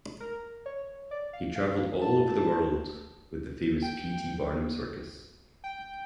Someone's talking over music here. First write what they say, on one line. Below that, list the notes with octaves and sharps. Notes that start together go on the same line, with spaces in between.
He traveled all over the world with the famous P. T. Barnum circus.
A#4
C#5
D5
F5
F5
F5
A5
G5
G5